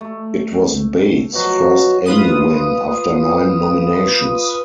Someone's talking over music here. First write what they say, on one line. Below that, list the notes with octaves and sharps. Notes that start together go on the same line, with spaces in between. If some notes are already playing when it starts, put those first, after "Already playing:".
It was Bates' first Emmy win after nine nominations.
A3
B2 F3 F#3 F#4
F4 B4 D#6